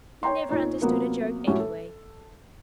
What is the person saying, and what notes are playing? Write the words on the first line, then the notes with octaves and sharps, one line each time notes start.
He never understood a joke anyway.
C#5 G5 A#5 C6
A#2 D#4 C#5
C3 F#3 A#3 B3 F4 A#4
A2 G3 C#4 F#4
A4